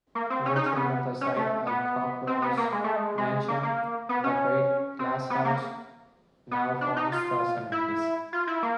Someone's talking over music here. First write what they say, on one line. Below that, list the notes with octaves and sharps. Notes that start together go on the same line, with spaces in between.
Virtually on the site of Cockerell's mansion, the Great Glasshouse now forms the centrepiece.
A#3
C4
C#4
D#4
C#4
B3
C#4
A3
B3
C4
B3
A#3
G#3
A3
G#3
G#3
A#3
A#3
B3
C#4
C4
B3
A#3
B3
D4
D#4
F4
E4
F4
E4
A#3